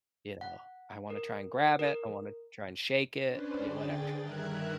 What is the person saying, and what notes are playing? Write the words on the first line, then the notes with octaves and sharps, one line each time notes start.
You know? I wanna try and grab it, I wanna try and shake it yeah, whatever.
F#5
A#4
A#4
C#4 D4 B4 C5 D5
D3 G#4 G5 A6
G2 D#3 A#4 E5 F#6 G#6